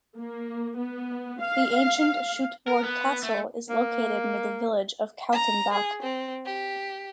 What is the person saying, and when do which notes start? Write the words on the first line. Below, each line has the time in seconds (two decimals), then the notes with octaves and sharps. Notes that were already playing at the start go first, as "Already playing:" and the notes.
The ancient Schuttbourg Castle is located near the Village of Kautenbach.
0.17 A#3
0.78 B3
1.42 F5
2.68 A#4
2.83 B3
3.23 A3
3.70 A#3
5.32 A#5
5.73 G#4
6.03 C4
6.46 G4